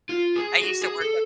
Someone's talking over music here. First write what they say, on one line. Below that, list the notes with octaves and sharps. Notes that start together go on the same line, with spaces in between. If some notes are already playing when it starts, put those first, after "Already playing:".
I used to work at
F4
G#4
F#4
G#4
A4